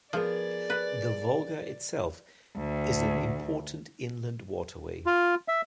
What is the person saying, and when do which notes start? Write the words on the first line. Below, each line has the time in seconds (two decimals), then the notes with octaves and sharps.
The Volga itself is an important inland waterway.
0.13 F3 B3 G#4 A#4 D5
0.70 B4
2.56 D2
5.06 F4
5.48 E5